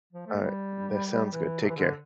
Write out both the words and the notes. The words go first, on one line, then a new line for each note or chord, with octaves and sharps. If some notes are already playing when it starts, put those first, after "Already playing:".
Alright. That sounds good. Take care.
F3
A3
G3
E3
C3
E3
D3